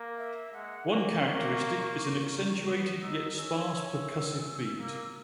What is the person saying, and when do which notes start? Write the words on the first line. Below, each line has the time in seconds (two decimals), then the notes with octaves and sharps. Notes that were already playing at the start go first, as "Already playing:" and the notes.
One characteristic is an accentuated, yet sparse percussive beat.
Already playing: A#3
0.18 E5
0.53 G#3 F#5
0.89 A#3 G#5
1.24 A#3 C#6
2.66 B3 D#6
2.92 D#6
3.02 D#4 E6
3.37 C#4 E6
3.74 E6
4.80 A#3